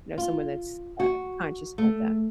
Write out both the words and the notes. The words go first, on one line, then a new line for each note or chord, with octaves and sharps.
you know, someone that's, uh, conscious about that.
F4
F#4
A3